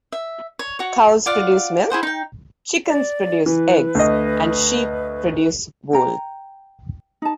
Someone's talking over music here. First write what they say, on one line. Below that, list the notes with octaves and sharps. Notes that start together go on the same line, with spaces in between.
Cows produce milk, chickens produce eggs, and sheep produce wool.
E5
C#5
F#4 C#5
F4 D5 F5 F#5
E4 G#4 C5 F#5
D#4 G5
D5
E3 B4
D2 D#5
G5 A#5
D#4 A5